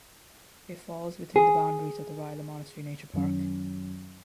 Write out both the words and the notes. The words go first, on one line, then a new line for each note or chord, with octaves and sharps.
It falls within the boundaries of the Rila Monastery Nature Park.
G#4
F#2 D#3 F#3 C#4